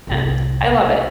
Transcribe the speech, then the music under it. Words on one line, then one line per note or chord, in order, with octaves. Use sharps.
and I love it.
C2 A2
B1